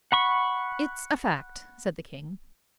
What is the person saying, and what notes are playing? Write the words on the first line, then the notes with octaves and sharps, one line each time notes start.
"It's a fact," said the King.
F#5 B5 C#6